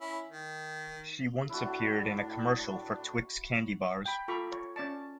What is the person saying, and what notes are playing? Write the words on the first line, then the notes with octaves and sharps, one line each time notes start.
She once appeared in a commercial for Twix candy bars.
C#4 E4
D#3
A2 D4 E4 F#4
G5 B5
F4 A4 A#5 B5 C#6 D6
F4 C#5
C#4 D5 A5